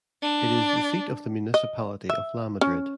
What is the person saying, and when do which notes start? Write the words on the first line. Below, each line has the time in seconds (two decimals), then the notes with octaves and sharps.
It is the seat of the municipality of Lamadrid.
0.22 D4
1.54 D#5
2.10 E5
2.61 C#4